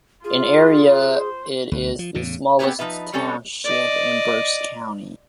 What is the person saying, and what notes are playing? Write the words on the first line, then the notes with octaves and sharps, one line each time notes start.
In area it is the smallest township in Berks County.
F4 G#4
C5
D2
F3
E2 A2 C#3
B3 C4 G4 G#4 B4 C#5
F3 D#4 B4 E5
G3 C4 C#4 A4 C#5
D5 D#5